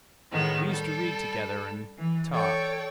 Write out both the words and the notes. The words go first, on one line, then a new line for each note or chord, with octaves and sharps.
We used to read together and... talk.
A2 D#3 G#3 B3
G3 A4
E3
A4 C#5 D5 G5